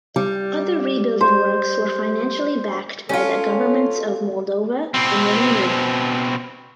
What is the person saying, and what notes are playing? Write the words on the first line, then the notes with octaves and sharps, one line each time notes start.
Other rebuilding works were financially backed by the Governments of Moldova and Romania.
G3
C5
C#4 F4 A4
B2 C4